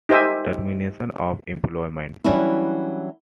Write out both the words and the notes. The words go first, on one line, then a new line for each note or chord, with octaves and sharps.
Termination of employment.
D#4 G4 C5 E5 G#5
E3 F#3 G3 C#4 D4 E4